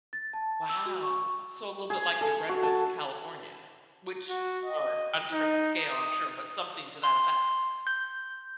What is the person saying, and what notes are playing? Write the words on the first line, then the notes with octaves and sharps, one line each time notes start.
Wow. So, a little bit like the redwoods in California, which are a different scale, I'm sure, but something to that effect.
A6
A5
E6
F#4
C#6
G#4
A4
F#4
A5
F#4
D#5
D#4
D#6
C6
G6